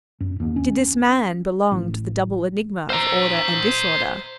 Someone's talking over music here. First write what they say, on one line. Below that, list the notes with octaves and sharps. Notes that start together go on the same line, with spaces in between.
Did this man belong to the double enigma of order and disorder?
F#2
D#2
C#4
A1
C5 A#5